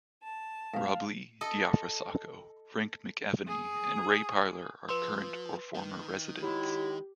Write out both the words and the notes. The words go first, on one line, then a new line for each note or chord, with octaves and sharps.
Rob Lee, Diafra Sakho, Frank McAvenie and Ray Parlour are current or former residents.
A5
G#2 B2 F5
A4 D#5
G#4
F3 B4 C6
D#3
F#3 G#3 E4 G4